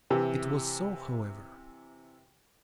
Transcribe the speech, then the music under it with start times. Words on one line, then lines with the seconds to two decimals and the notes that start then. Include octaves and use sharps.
It was so, however.
0.10 C3 E3 G4